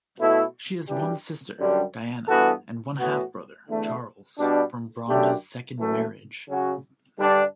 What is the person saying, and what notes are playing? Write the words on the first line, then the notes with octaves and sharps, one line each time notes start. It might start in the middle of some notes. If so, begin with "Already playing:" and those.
She has one sister, Diana; and one half-brother, Charles, from Bronda's second marriage.
B2 A3 E4 A4
F#2 E3 G3 D4 G4
F#2 D3 G3 D4
G2 E3 B3 F#4 A4
A2 E3 B3 F#4
E2 D3 A3
B2 G3 D4
F#2 D3 A3 D4 G4
F#2 E3 A3
C#3 F#3 C#4 F#4
G2 D3 G3 D4